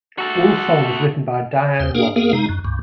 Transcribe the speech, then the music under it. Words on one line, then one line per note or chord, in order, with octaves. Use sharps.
All songs written by Diane Warren.
F#4 A4
D#2 C5
A#3 D4 G#4 A#4 F5
A#3 B3 G#4 A#4 F5
C3 G#3 D#4 A#5
F#2
C#2 G2